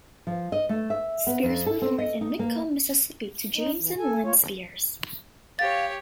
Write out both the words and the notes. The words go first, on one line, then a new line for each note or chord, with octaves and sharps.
Spears was born in McComb, Mississippi, to James and Lynne Spears.
F3
D#5
A3
E5
B3
F2
A4
C4
D#5
D#4
A#3
G#2
D#4
E3
A4 G#5
F4 C#5
G4 C#5 F5 A6